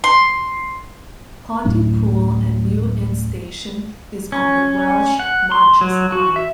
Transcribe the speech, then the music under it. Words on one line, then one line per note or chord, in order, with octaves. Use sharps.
Pontypool and New Inn station is on the Welsh Marches Line.
C6
D1 F#2 A2 D4
C#4
F#5
C6
F#3
F#4
E5